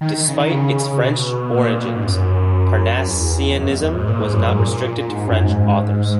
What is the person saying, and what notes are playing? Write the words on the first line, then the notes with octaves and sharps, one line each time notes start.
Despite its French origins, Parnassianism was not restricted to French authors.
D#3
D#3
C#3
D#3
C#3
C#3
B2
A#2
B2
A#2
G#2
F#2
E2
F#2
E2
E2
G#2
A#2
G#2
F#2
G#2
A#2
A#2
A#2
A#2
G#2
F#2
G#2